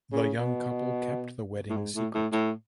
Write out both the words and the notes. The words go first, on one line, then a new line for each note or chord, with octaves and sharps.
The young couple kept the wedding secret.
C#3
B2
A2
G#2
A2
A2
A2